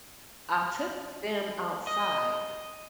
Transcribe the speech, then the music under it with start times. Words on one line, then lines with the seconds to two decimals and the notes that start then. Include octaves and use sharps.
I took them outside
1.87 D#5